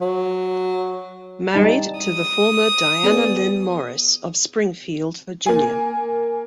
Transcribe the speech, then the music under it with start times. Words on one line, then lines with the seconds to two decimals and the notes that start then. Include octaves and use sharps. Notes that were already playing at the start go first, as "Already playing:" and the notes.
Married to the former Diana Lynn Morris of Springfield, Virginia.
0.01 F#3
1.54 G3 D#4 A5
2.00 D#6
3.03 B3 G#4 D5
5.46 A#3 G#5